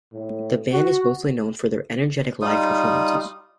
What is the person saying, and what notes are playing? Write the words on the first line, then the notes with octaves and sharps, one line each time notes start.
The band is mostly known for their energetic live performances.
A2
F#4
G3 D#4 F4 D#6